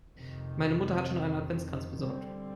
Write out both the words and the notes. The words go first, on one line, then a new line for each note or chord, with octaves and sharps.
Meine Mutter hat schon einen Adventskranz besorgt.
F2 C3 D#3
D3 G3 C4